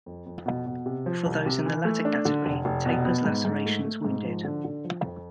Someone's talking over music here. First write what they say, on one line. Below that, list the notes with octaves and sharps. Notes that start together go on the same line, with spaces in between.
For those in the latter category, "Taper's lacerations wounded".
F2
F2
B2
B2
C3
F3
C2
C3
E3
A3
D4
D3
F1
F1
B2
B3
G#2
G#2
A3
A3
G#2
F3
D3
D3
F3
F2